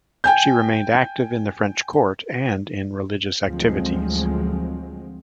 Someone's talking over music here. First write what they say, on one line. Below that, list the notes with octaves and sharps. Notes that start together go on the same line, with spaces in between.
She remained active in the French court and in religious activities.
G5 G#5 G6
D2 F3 F#3 G#3 C4